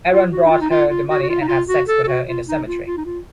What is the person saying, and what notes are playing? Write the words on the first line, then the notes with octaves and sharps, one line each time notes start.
Aaron brought her the money and had sex with her in the cemetery.
F4
F#4
D#4
F4
D#4
F4
F4
F#4
F#4
F4
D#4
F4
F#4
A4
A4
F#4
F4
D#4
F4
F4
D#4
F4